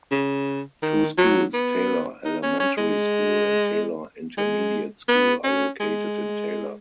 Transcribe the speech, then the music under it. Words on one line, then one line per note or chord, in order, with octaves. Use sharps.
Two schools, Taylor Elementary School and Taylor Intermediate School, are located in Taylor.
C#3
D#3
F#3
B3
D#4
C#4
C#4
G#3
G#3
B3
C#4
G#3